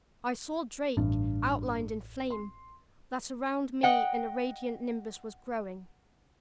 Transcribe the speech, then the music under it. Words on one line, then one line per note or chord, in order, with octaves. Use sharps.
I saw Drake outlined in flame; that around me a radiant nimbus was growing.
A1 G2
C6
D#5 F#5 G5